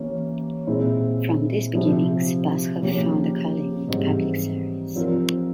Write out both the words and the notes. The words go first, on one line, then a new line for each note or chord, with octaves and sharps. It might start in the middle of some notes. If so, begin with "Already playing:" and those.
From these beginnings, Bazhov found a calling in public service.
Already playing: E3 A#3 C#4 G4 C#5
A#2 G#3 C4 E4
C3 F3 C4 E4 G4
C#3 F3 A#3 C#4 G4
G#2 E3 G3 C4
F3 C4 F4 A#4